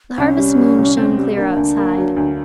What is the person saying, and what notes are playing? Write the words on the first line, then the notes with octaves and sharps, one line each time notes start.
The harvest moon shone clear outside.
C2 C#4
G3
G3
C2
C4
G3
A#3 D4
D2
A#3
F#3
D2